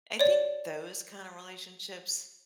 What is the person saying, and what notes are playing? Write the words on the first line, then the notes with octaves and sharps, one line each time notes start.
I think those kinda relationships
C#5 D5